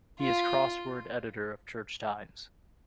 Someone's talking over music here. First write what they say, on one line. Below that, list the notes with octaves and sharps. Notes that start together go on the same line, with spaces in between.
He is crossword editor of "Church Times".
F4